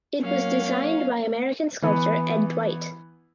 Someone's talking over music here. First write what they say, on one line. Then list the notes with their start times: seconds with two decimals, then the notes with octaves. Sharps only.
It was designed by American sculptor Ed Dwight.
0.21 F#3 A#3 C#4 F5
1.82 E3 B3